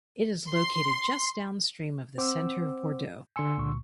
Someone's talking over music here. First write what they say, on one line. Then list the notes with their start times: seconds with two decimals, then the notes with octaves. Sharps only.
It is located just downstream of the centre of Bordeaux.
0.49 C6
2.18 C4 C5 F#5 D6 E6
3.36 D3 G#5 C6 E6 C#7
3.58 C#2 A#2 C#6